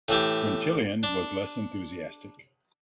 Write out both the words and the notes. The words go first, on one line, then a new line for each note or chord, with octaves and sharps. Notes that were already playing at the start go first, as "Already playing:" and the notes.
Quintilian was less enthusiastic.
A2 E3 E4 G4
D4